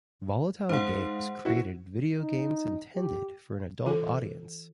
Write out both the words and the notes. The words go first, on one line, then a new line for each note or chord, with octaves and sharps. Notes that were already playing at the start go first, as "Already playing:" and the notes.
Volatile Games created video games intended for an adult audience.
G#2 C5 F5 F#5
E4 F#4
D#4
G4
E3 F4 A4